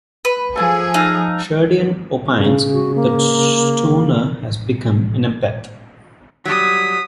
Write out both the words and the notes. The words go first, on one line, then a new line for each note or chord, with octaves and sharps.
Sheridan opines that Stoner has become an empath.
B4
F3 G#4 A4 G#5
D#4 A4 F5
C#3
F#4
A#3
F#3 G3 D#6 B6